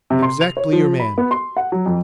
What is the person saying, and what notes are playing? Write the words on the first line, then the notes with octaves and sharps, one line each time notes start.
"Exactly your man."
C3
C6
F7
C#5
F3
B5
B3
C6
F#5
F#3
F2